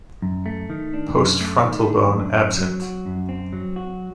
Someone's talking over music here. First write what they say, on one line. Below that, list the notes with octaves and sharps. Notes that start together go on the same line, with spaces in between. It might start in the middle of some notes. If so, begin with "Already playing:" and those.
Postfrontal bone absent.
F#2
A3
D#3
D4
F#2
A3
D#3
D4
F#2
C4
F#3
F#4
F#2
C4
F#3
F#4